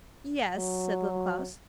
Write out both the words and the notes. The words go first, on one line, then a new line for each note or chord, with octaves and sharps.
'Yes,' said Little Klaus.
F#3